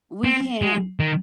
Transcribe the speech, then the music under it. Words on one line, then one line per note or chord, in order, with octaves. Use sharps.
We can't.
C4
G#3
D#3